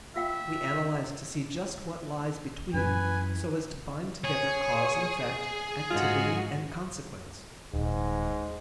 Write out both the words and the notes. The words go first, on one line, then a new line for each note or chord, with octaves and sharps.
We analyze to see just what lies between so as to bind together cause and effect, activity and consequence.
F4 E5 F5 G5
F#2 E3 B4 G#5
G#4 C#5
G#2 F4 F#4
D#1 G#2